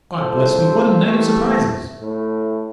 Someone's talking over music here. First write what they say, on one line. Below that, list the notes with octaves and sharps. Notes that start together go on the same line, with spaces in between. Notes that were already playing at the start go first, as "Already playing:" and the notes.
God bless me, what a night of surprises!
C2 F2 A4 C5
E3 G3 A3
A2